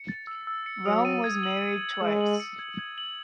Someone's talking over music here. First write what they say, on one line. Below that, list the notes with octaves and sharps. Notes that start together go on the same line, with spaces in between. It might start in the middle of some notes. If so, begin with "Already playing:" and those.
Rome was married twice.
Already playing: C#7
A6
E6
E6
C#7
F#3 D#6
D#7
G#6
F#7
D#6
D#7
G#3 G#6
F#7
C#7
G#6
G#6
F#7